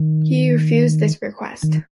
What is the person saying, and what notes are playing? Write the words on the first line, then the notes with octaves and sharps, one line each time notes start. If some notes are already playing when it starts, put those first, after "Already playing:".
He refused this request.
Already playing: D#3
D#3